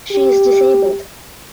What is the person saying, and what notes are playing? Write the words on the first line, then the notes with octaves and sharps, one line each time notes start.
She is disabled.
G4